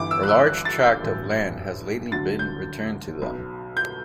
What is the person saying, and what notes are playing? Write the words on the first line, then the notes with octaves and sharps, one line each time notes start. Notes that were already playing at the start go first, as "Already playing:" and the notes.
A large tract of land has lately been returned to them.
Already playing: G1 G2 E3 D6
E6
F#6
E6
F#6
A6
G6
A1 G2 F#3
D2 D3 F#3 A6
G6
B1 B2 F#3
G6